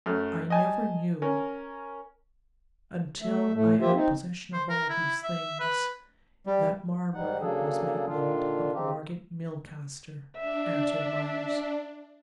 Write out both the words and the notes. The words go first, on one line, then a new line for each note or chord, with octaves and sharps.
"I never knew until I had possession of all these things that Marbury was Maitland of Market Milcaster," answered Myerst.
F#2 A3 F6
D#5 G#5 A5
C#4 A#4
A3 E5
A2 A3
F3 A#3 F4 G4 C5 E5
C4 D#4
C5
A#4
E4
E5
B4
G3
G#2 G3 D#4 F#5
C#3 F#3 A#3 D4 G#4 A4
A#2 D3 D#3 D4 F4
C#3 C4 D#4 G4
D4 E5